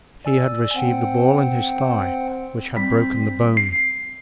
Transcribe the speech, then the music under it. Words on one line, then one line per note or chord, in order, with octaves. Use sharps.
He had received a ball in his thigh, which had broken the bone.
D5 G#5 E6
C4 F#5 G5
G3 C4 B6
C7